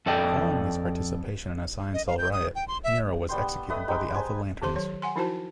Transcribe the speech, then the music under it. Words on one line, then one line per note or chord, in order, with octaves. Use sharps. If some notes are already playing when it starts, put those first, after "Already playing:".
Following his participation in a Sciencell riot, Nero was executed by the Alpha Lanterns.
F2 A4 D5 D#5 G5
D#5
F5
G6
D#6
G5
C6
E5
G3 B3 G5 C6
A3 B4 D#5 D#6
G#3 D#4 G4 G5
B4 C5 G#5 A5
D#3 G4 C5 C6
F#3 C#5
F#5 G#5 C6
F3 D#4 E4 F#4 C5 A5